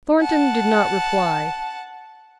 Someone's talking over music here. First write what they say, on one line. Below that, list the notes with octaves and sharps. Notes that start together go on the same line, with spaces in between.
Thornton did not reply.
F#5 A5